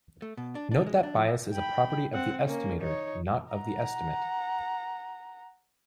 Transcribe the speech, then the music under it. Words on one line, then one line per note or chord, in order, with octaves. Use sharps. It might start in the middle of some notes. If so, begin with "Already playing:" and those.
Note that bias is a property of the estimator, not of the estimate.
A3
B2
D4
D4
G#3
D4
F3
G5 B5
C4 F#5
A#3 C#4
D#4 C#5
F#5 A#5